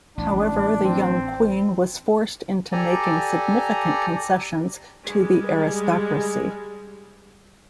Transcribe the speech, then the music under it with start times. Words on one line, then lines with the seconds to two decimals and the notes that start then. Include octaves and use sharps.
However, the young queen was forced into making significant concessions to the aristocracy.
0.18 A1 D4
0.84 C4
2.72 G4 A4 D5 G#5 A#5
5.03 G3 G#3